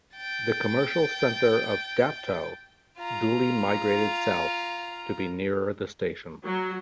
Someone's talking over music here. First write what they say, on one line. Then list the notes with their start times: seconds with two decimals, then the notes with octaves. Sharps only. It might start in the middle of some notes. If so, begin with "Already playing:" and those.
The commercial centre of Dapto duly migrated south to be nearer the station.
0.16 G5 A6
2.98 F4 A#5
6.44 F#3